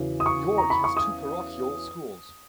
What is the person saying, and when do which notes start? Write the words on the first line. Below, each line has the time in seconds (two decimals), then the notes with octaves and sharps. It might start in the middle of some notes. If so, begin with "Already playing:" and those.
York has two parochial schools.
Already playing: E2 C#3 F#3
0.20 D#6
0.26 C#6
0.58 A#5
0.70 B5
0.84 C#6
0.97 D#6